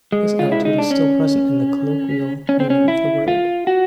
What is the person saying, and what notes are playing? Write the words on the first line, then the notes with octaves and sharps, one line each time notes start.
This attitude is still present in the colloquial meaning of the word.
G#3
F4
E4
D#4
D4
C#4
C#4
C4
C#4
E4
F4
F#4